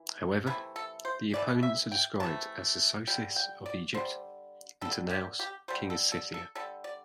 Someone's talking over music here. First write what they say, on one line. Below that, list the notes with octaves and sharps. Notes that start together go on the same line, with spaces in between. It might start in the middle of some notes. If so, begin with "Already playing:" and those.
However, the opponents are described as Sesosis of Egypt and Tanaus, king of Scythia.
Already playing: E3
C3 E3 A3 E4
A4
C5
C3 E3 A3 D5
E5
G5
C3 E3 A3 A5
D3 G3 G5
G5
D5
D3 G3 C5
D3 G3 A4
G4
G4
D3 G3 C5
A4
A4
A4
D3 G3 A4
D5